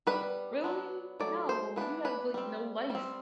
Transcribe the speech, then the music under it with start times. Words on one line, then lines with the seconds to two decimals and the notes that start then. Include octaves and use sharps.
r really? No, you have, like, no life.
0.07 G3 B3 D4 B4
0.64 F#3 B3 D4
1.20 F#3 A3 D5
1.49 C5
1.76 E3 B3 D4 B4
2.05 B4
2.34 G3 C4
2.90 G3 C4